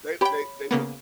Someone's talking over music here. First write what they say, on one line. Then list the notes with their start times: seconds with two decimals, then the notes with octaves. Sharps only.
They they they wouldn't.
0.21 G4 C#5 G5 B5
0.71 C#3 A#3 B3